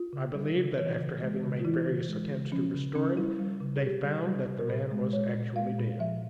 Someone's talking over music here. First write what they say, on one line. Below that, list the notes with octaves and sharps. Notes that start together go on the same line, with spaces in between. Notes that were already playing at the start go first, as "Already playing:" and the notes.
I believe that after having made various attempts to restore him, they found that the man was actually dead.
Already playing: F4
C#3
G3
C#3
E3 C#5
C#3
G#3
C#3
F4
E3 E4
C#3
G#3
C#3
F3 C#4
C#3
C#3 C#4
G3 E4
G3
C#3
G#4
C3 G4
G3
G3
C3
A#4
A#2 C5
G#3
G#3 C#5
A#2
G#3 F5
A#2
F3 E5